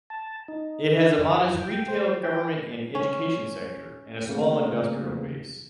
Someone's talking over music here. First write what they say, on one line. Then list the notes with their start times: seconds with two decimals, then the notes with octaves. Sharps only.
It has a modest retail, government and education sector, and a small industrial base.
0.10 A5
0.48 D#4
1.18 F#2
1.61 G5
1.88 C5
2.23 G5
2.95 C#4
4.29 C#3 A3 A#3 C4